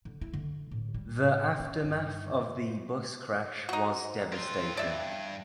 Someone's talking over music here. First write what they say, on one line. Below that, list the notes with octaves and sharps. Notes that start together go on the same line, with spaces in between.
The aftermath of the bus crash was devastating.
D3
E4
D3
A2
G3
A2
C#4
G2
D#4 F#4
C4 F4
G2 D5 E5